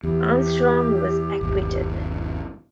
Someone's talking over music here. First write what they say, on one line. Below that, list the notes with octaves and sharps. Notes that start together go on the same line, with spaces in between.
Armstrong was acquitted.
E2 G4
G1 D#2